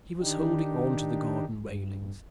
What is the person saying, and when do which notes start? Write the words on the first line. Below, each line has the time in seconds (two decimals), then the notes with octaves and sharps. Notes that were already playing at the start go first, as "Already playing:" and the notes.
He was holding on to the garden railings.
0.21 D#3 D4 D#4 G4
1.56 G2